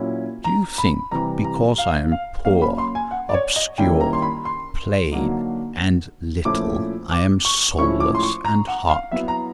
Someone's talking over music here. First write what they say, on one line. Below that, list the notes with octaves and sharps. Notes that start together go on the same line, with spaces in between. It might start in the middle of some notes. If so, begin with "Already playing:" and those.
Do you think, because I am poor, obscure, plain, and little, I am soulless and heartless?
Already playing: A#2 F#3 C#4 E4
A#5
B5
C3 E3 G3 A#5
A#5
F5
F5
F#3 A#3 C#4 F5
B5
C6
G#5
F#5
D5
C#5
D#5
D#3 G3 A#3 C#4 E4 G5
A#5
C6
B5
C6
D3 F#3 A#3 D#4
A#2 F3 A3 C#4 E4 D6
D6
C#6
A2 F3 G#3 C#4 E4 C#6
D6
C6
C#6
A#5
F#5
F5
F#3 B3 E4 E5
A#5